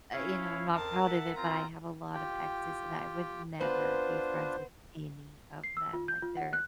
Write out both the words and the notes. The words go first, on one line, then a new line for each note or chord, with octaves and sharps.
I you know, I'm not proud of it, but I have a lot of exes, and I would never be friends with any of them, like, they're
C#4 E4 C#5 F5
F2 A#4 F5 A5
E5 F#5
C4 F4 A#5
F4 G4 G5
B3 D4 F4 B4 C5
C7
E6
F4
G6
F4
F#5
F#6